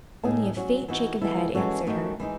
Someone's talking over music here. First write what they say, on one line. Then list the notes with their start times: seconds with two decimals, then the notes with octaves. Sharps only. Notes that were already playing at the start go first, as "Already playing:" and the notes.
Only a faint shake of the head answered her.
0.24 A2 G#3 D#4 G#4
0.56 F#3 C#4 F#4
0.88 E3 B3 D#4 F#4
1.21 E3 G#3 B3 E4 A4
1.55 E3 G#3 C#4 F#4 A4
1.87 F#2 D#3 A3 D#4 F#4
2.20 E3 G#3 D#4